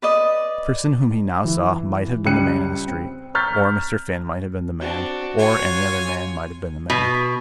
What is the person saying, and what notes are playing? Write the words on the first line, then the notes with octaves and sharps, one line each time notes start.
The person whom he now saw might have been the man in the street, or Mr. Finn might have been the man, or any other man might have been the man.
B4 D5 D#5
E3
C#2 C#3 G3 F#6 C#7 D#7
C4
A#5 C#6 F6 G6 A6 B6
C4 D4 F#4
F4 C#5 G#5
B2